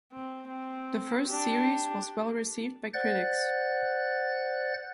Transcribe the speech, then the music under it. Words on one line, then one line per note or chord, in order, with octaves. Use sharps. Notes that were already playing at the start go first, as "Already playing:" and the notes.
The first series was well received by critics.
C4
C4
D4 G4
C5 D5 F#5 F#6 A6